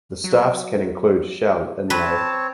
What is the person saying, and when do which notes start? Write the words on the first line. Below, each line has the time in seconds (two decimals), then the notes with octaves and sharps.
The staffs can include shell inlay.
0.24 F#3
1.90 C4 B4 C#5 A5